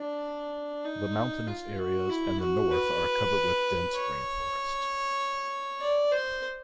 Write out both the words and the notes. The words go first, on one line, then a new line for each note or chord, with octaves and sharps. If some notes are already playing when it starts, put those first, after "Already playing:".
The mountainous areas and the north are covered with dense rainforest.
Already playing: D4
D#4
F4
F#4
E4
F#4
B4
C#5
D5
C5